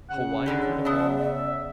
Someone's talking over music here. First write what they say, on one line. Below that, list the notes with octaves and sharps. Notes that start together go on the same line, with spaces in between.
Hawaii Kingdom Hall?
C#3 F#5
B2 D3 G4 D5
B3 E5 F#5 A5